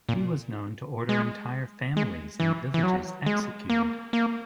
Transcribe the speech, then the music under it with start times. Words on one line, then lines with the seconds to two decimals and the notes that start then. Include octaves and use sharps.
He was known to order entire families and villages executed.
0.09 A#2
1.09 G#3
1.97 G#3
2.40 E3
2.74 E3
2.83 F#3
3.26 G#3
3.70 A#3
4.13 A#3